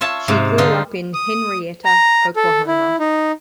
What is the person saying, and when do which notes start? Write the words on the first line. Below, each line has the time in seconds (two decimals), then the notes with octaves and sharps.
She grew up in Henryetta, Oklahoma.
0.01 F4 C#5 E5 A5
0.28 G#2 C3 F5
0.58 D3 C4 D#4 F4
1.14 D#6
1.85 A#5
2.36 A4
2.67 E4
2.99 D#4